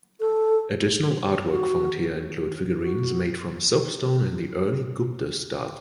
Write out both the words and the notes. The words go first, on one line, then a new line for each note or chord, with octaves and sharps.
Additional artwork found here include figurines made from soapstone in the early Gupta style.
A4
F#4
F#4